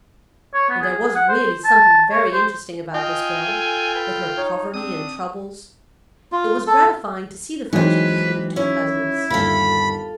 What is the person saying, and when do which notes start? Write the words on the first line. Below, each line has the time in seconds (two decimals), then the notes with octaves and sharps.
And there was really something very interesting about this girl, with her poverty and troubles; it was gratifying to see the friendship between the two cousins.
0.54 C#5
0.70 B3
0.82 G#4
1.16 F#5
1.29 C5
1.65 A5
2.11 C#5
2.33 C5
2.94 F4 D#5 G5 G#5
3.48 A4
3.95 B4
4.37 D#4 C#5
4.74 C4 D4 D#6
6.32 F4
6.67 A4
7.73 E3 F#3 G#3 C4 D#4 B4
8.56 C#4 E4 E5
9.30 G1 D#2 F4 A4 B5